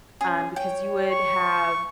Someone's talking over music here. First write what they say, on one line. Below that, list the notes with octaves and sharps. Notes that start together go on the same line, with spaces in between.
um, because you would have
C#4 G#4
C#5 G5
C#6